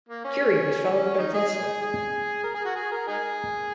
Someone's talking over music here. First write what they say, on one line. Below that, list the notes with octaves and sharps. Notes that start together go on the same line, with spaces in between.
Curie was followed by Tesla.
A#3
C#4
C#4
D#4
G#4
G#4
A#4
G#4
F#4
G#4
A#4
D#4 G#4